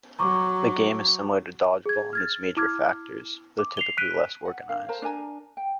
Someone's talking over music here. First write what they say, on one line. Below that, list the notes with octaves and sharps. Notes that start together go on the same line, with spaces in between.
The game is similar to dodgeball in its major factors, though typically less organized.
F#3 A#5 C#6 D6
G#4 G#6
F6 G#6 A6
E4 D6 F6 G#6
D6
C7 F7 G7
F#6 B6 D7 D#7
F#5
D4 A#4 F5
A#4 C5 A5 A#5
D4 A#4 G#5 A#5
G5